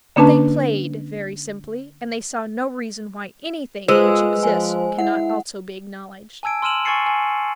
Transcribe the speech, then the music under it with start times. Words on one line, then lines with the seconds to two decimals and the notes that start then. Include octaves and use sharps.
But they played, very simply, and they saw no reason why anything which exists cannot also be acknowledged.
0.16 D3 A#3 C#4 D4 B4 A5
3.88 G#3 F4 B4 C5 E6
4.43 F3 C5 G#5
4.99 E4 F#5
6.43 G#5 A5 E6 G#6 D7
6.62 C6 E6 F6 D#7 E7 F#7
6.85 G#5 C#6 G#6 A6 C7 C#7
7.06 G#5